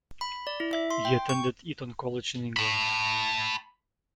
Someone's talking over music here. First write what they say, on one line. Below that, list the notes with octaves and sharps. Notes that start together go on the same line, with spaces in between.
He attended Eton College in England.
B5
D5
E4
E5
C6
G5
C#6
A5 B5